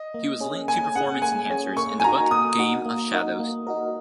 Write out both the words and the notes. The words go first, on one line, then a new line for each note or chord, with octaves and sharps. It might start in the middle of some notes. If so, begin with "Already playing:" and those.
He was linked to performance enhancers in the book "Game of Shadows".
Already playing: D#5
A#3
C#4 G#4
A#3 G#5
C#4 G#4 F#5
A#3 G#5
C#4 G#4
A#3 C#6
G#5
D#4 F#4 A#4 A#5
A#3 D#6
D#4 F#4 A#4
A#3
D#4 F#4 A#4
A#3
D#4 F#4 A#4